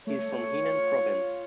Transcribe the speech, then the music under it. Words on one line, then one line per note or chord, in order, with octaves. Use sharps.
He is from Henan province.
A3 C#5
F4